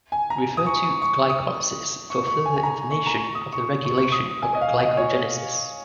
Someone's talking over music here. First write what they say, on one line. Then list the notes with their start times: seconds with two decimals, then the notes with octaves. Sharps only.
Refer to glycolysis for further information of the regulation of glycogenesis.
0.12 G#5
0.30 A#5
0.57 D#6
0.66 C#6
0.84 C#6
1.02 C#6
1.29 D#6
2.10 C#6
2.27 C#6
2.46 G#5
2.57 G#5
2.63 A#5
2.91 C#6
3.07 A#5
3.17 C#6
3.35 D#6
3.53 C#6
3.85 C#6
3.97 C#6
4.12 D#6
4.26 C#6
4.43 G#5
4.55 D#5
4.61 F5
4.79 D#5
4.97 C#5